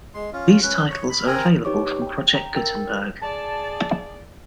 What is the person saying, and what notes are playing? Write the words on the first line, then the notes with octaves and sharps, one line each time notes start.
These titles are available from Project Gutenberg.
G#3 C6
C#4 F4
C#4 B4
C#5
B5
C4 A#4 G#5 A#5
D#4 G4 B4 C#5 C#6 D6
G5
G5 A#5
A#4 G5 E6 A6
G#4 D5 A5